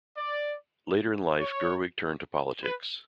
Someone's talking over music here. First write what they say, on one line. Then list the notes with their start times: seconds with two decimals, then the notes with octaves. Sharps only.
Later in life, Gerwig turned to politics.
0.18 D5
1.40 C#5
2.64 B4